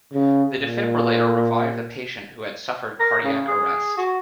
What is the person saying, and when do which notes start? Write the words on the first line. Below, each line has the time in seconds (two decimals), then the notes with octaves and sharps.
The Defibrillator revived the patient who had suffered cardiac arrest.
0.14 C#3
0.62 A#2
3.00 A#4
3.24 C#3
3.48 G#4
3.98 F#4